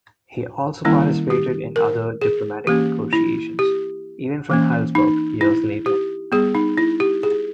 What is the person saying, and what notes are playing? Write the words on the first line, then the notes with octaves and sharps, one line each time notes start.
He also participated in other diplomatic negotiations, even from Heilsberg years later.
D#3 G3 A#3 C#4 E4
G4
A#4
G#4
E3 A#3 C#4 G4
E4
G4
E3 A#3 C#4
D#4
E4
G4
G3 B3 G#4
D#4
E4
G4
G#4